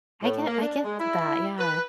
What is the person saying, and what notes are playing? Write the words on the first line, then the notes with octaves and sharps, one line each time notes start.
I get I get that. Yeah.
A2
A#3
D4
G#3
E4
B4